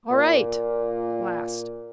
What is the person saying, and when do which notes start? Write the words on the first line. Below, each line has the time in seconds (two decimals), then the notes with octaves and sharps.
"All right!" at last.
0.11 A#2